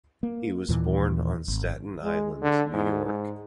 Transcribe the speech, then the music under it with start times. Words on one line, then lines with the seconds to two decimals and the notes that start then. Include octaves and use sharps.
He was born on Staten Island, New York.
0.23 A#3
0.69 D#2 A#2 E3
1.48 G#1
2.03 G#3
2.42 D3
2.73 G#2
3.05 G#2